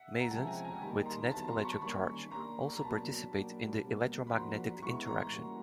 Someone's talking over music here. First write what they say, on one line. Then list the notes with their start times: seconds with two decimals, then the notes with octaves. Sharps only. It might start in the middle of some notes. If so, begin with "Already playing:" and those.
Mesons with net electric charge also participate in the electromagnetic interaction.
Already playing: E5 F#5
0.20 A#5
0.30 C3 F3 G#3 C#4 G5 A5
0.47 G#5 A#5
0.65 G#5 A#5
0.81 D#3 G3 A#3 D#4 G4 A5 B5
1.06 A#5 C6
1.30 D3 F#3 B3 A5 B5
1.48 A#5 C6
1.64 B5 C#6
1.81 D#3 G3 A#3 C#4 B5 C#6
2.31 A#3 D4 G4 A#5 C6
2.73 A#5
2.81 B2 F#3 A#3 D4 A5 B5
3.32 F#3 A#3 D4 G4
3.81 B2 G3 A#3
4.27 B5
4.32 F3 A#3 D4 F#4 A#5 C6
4.81 A2 E3 G#3 B3 B5 C#6
5.06 A#5 C6
5.32 E3 G3 A#3 C#4 F#4